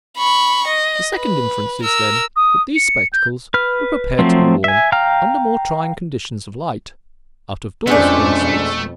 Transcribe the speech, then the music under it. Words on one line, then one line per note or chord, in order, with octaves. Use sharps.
The second inference is, then, that these spectacles were prepared to be worn under more trying conditions of light--out of doors, for instance.
B5 C#6
D#5
B4
A#4 E6
D#6
C#7
G6
B4 F6
F3 F#3 A3 C4
E5 G#5
F5 G5 A#5 F6
F2 B2 G#3 A3 C#4 D4 D5 G#5